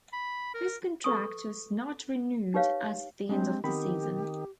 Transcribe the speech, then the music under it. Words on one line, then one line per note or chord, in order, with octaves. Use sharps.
His contract was not renewed at the end of the season.
B5
A#4
A4 B4 C#6 D#6
D#4 G4 B4 C#5 F5
G#3 C4 D4 G4
D#3 B3 C4 G4 B5